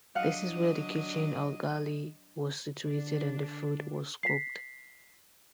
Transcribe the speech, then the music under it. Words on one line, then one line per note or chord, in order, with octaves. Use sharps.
This is where the kitchen, or galley, was situated and the food was cooked.
F#3 D4 D#5 F5 F#5
D3 D4
B6 C7